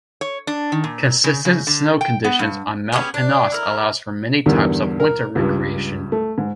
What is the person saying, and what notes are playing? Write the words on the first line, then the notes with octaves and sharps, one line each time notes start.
Consistent snow conditions on Mount Pinos allows for many types of winter recreation.
C#5
D4
D#3
A#2
C#3
C#3
D3
G5
B3
G2
B3 C#4 G4 G#4
D4
E4 A#4
E2 G2 D3 D#3
A#4
C#2 G2
A3
G#2